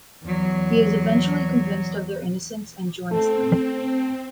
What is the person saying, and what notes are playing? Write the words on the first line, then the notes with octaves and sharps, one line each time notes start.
He is eventually convinced of their innocence, and joins them.
E2 F#3
A3 C4